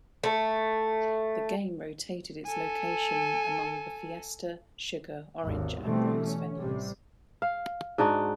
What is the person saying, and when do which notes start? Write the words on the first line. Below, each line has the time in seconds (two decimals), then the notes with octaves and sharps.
The game rotated its location among the Fiesta, Sugar, Orange, and Rose venues.
0.24 A3
2.46 A4 G#5
5.44 G#1 D#2
5.82 B2 E3 G3 A3 C4
6.24 C#4
6.58 A1 C3 G3
7.42 F5
7.98 G#2 D4 D#4 F#4